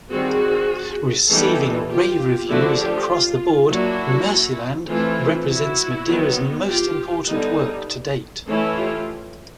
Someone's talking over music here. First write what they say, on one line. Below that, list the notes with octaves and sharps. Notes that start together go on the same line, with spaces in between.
Receiving rave reviews across the board, "Mercyland" represents Madeira's most important work to date.
D#3 G3 C4 F#4 G#4
E3 G3 B3 D#4 G4 A4
F4 G4
D3 F3 A3 D4 E4 F#4
F4 G4
F4
F#3 A#3 D4 E4 F#4
E3 A3 C4 E4 F4
E4 F#4
D#3 F#3 B3
F4 G4
D3 G3 B3 D#4
E3 A3 C#4 E4
F4 G4